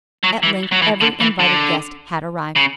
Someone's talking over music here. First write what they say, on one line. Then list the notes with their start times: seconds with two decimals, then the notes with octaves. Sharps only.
At length every invited guest had arrived.
0.23 F#3
0.43 E3
0.72 F#3
0.82 E3
1.01 D3
1.21 E3
1.40 D3
2.56 C#3